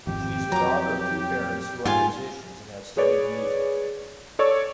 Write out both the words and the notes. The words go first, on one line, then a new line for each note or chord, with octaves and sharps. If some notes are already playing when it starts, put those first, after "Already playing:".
She is the daughter of two parents who are musicians and have studied music.
G#1 F2 G4
F2 F#3 A#5 D6
G#2 G3 F4 F5 G#5
G#4 B4 C#5 D5
A4 C#5 D5 C#6 D6 E6